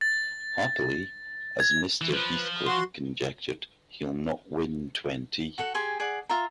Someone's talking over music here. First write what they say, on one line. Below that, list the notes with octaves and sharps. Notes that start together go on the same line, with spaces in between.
Happily, as Mr. Heathcliff conjectured, he’ll not win twenty.
A6
G#6
E3
F3 B4
F#4 C6
F#4 A4 F#5
G4 G#4 G#5 C6
G#4 D5 F#5
F4 E5 A#5